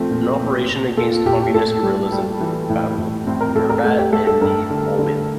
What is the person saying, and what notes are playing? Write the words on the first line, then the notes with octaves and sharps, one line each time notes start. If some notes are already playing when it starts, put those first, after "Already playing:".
An operation against communist guerillas included the Battle of Mirbat in the Oman.
Already playing: A#2 F3 A3 C4
A#2
A#2
A#2
A#2 A4
F4
A#2 G4
G4
A2 A4
G3
G3
E3
A2
A2
A2 C4
A#4
A2 A4
A#4
A3 A4
G4
A3 A4
A4
G2 A#4
D3
D3